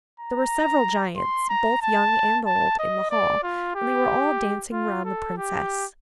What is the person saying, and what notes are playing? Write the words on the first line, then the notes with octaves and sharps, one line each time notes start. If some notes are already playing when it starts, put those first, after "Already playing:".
There were several giants, both young and old, in the hall, and they were all dancing round the princess.
A#5
C6
A#5
A5
A5
D#5
D5
F4
G4
F4
A4
G4